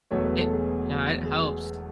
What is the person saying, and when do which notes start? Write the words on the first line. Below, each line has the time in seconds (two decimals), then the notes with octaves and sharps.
It yeah, it helps i
0.11 E1 E2 B2 F#3 A3 C#5
0.25 B4
0.40 A4
0.54 G#4
1.26 G#4